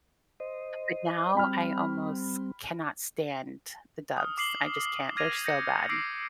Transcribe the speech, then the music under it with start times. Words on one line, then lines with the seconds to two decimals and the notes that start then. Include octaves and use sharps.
but now I almost cannot stand the dubs, I just can’t, they’re so bad.
0.40 C5 D#5
1.35 G3 C4 G5 B5 F6
4.17 D#6 F6
4.38 D6 C7 F#7 G7
5.16 D6 F6 G#6 A#6 D#7 F7
5.44 G6 A#6 C#7
5.89 D6 E6 A#6 C7 D7